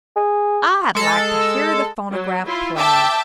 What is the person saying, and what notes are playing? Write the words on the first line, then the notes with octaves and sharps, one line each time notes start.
"I'd like to hear the phonograph play."
G#4
G#3 A4
F#3
E4 F4
E5 G5 A5 D6 E6